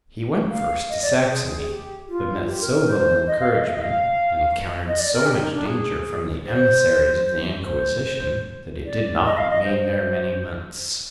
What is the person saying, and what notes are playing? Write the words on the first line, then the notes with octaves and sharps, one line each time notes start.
He went first to Saxony; but met so little encouragement, and encountered so much danger from the emissaries of the Inquisition, that he did not remain there many months.
F5
D#5
D5
C5
G#4
G4
F4
G4
A#4
A#4
C5
D#5
F5
D#5
F5
D#5
F5
D#5
D5
A#4
G4
D#4
D4
G#4
C5
C5
C5
C5
D5
D#5
F5
D#5
C5